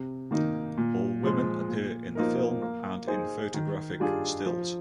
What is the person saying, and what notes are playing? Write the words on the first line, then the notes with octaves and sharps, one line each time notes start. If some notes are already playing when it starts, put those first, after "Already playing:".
All women appear in the film and in photographic stills.
Already playing: C3
D#3 A#3 D#4
A#2
F3 G#3
A#2
F3 A#3 D#4 A#4
A#3
D#4 G#4 C5
D#3
G3 D4 F4 G#4
F3